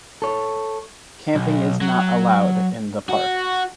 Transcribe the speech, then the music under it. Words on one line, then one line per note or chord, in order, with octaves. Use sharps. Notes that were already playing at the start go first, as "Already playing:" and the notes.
Camping is not allowed in the park.
A4 C#5
B1
F#3
F#4